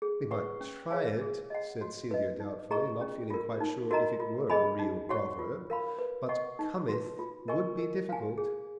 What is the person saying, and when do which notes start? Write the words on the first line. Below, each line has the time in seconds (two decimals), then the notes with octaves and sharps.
"We might try it," said Celia doubtfully, not feeling quite sure if it were a real proverb; "but 'cometh' would be difficult."
0.02 G#4
0.31 B4 F#5 C#6
0.61 C#4
0.91 G#4 C#5 F5 G#5
1.21 G#4
1.50 D#5 F#5
1.81 F#4
2.11 B4 D#5
2.40 D#4
2.71 G#4 D#5 A#5 C#6
3.01 C#4
3.30 F4 A#4
3.60 D#4
3.91 F#4 A#4 D#5 A#5
4.20 F4
4.50 G#4 D#5 G#5 B5
4.79 D#4
5.09 F#4 C#5 F#5 C#6
5.39 F4
5.70 A#4 F5 B5
5.99 B4
6.29 D#5 F#5 C#6
6.59 D#4
6.88 F#4 B4
7.19 F4
7.48 A#4 D#5 G#5 C#6
7.79 A#4
8.09 F5 G#5
8.38 G#4